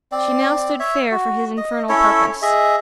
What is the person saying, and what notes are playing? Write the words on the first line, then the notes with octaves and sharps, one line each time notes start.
She now stood fair for his infernal purpose.
C4 D5
C#5 E5
F#4
D#5
C#4 E4 A4 C#5
G#4 D#5 E5